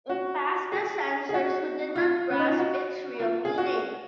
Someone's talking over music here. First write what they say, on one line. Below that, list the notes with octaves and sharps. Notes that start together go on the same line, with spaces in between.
It passed the censors who did not grasp its real meaning.
F#4
G#4
G#4
F#4
F4
C#4
D#4
F4
F#4
F4
G#4
F#4